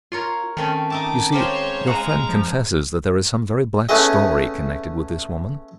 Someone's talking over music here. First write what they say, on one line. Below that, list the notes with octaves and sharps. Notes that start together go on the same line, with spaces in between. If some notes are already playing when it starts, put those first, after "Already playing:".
You see, your friend confesses that there is some very black story connected with this woman.
F4 A#4 C#5 C6
D#3 A3 C4 C#4
D#4 E5 A5 D6
G#3 F4 G4 C5 C#5
G#3 F5 F#5 A#5
F3
A3 B3 C#4 E4 G#4 D#5